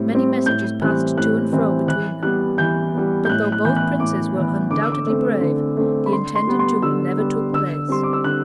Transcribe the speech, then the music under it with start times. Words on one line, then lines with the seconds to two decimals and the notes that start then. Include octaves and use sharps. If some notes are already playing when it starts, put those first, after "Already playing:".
Many messages passed to and fro between them; but though both princes were undoubtedly brave, the intended duel never took place.
Already playing: A2 G3 C4
0.10 G3 C4
0.46 A2 G6
0.82 E3 G3 C4 F#6
1.17 A2 F#6
1.53 E3 G3 C4
1.88 E3 F#6
2.23 G3 B3 F#6
2.58 E3 G6
2.94 G3 B3
3.25 G6
3.29 A2 F#6
3.52 F#6
3.65 E3 B3 G6
3.76 F#6
4.00 A2 D6
4.35 E3 B3
4.71 D3 D6
4.82 E6
4.92 D6
5.07 A3 C4
5.41 D3
5.77 A3 C4
6.06 B5
6.13 D3 C6
6.35 C6
6.47 G3 B3
6.59 C6
6.82 D3 E6
7.18 G3 B3
7.53 D3 E6
7.88 G3 C4 C6
8.03 D6
8.13 E6
8.24 D3 F#6